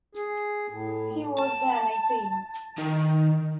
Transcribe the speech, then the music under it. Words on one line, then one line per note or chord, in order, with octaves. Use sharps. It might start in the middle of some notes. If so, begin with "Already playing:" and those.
He was then eighteen.
G#4
A2
A5
D#3